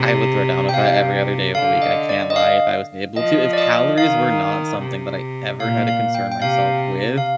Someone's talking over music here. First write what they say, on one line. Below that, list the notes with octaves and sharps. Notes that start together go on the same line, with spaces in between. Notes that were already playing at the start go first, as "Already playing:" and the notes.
I would throw down with that every other day of the week. I can't lie if I was able to. If calories were not something that I ever had to concern myself with.
Already playing: C3
G5
C3 F5
D3 F5
D#5
D5
D#5
F5
F3 D#5
D5
D#5
D#3 F5
C3
A#2 F5
F5
G5
G5
C3 F5
F5